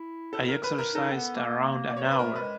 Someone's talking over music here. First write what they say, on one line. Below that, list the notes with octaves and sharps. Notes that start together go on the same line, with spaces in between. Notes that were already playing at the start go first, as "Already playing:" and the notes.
I exercised around an hour.
Already playing: E4
A4
A#4
B4
A#4
D#4 A4
C4
B3
A#3
D5
C#5
C5
B4
A3 A#4
B4
G#3